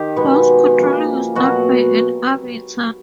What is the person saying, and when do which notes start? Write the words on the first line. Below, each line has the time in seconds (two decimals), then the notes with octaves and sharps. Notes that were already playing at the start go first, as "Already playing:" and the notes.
Bus controlling is done by an arbiter.
Already playing: D#3 G4
0.16 B2 G#3 B3
0.76 C#3 F3 A#3
1.35 B2 F#3 A#3 F#4